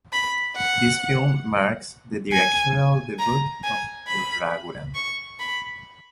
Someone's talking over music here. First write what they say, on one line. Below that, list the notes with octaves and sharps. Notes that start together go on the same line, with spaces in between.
This film marks the directorial debut of Raghuram.
B5
F#5
G#5
A#5
G#5
B5
C#6
B5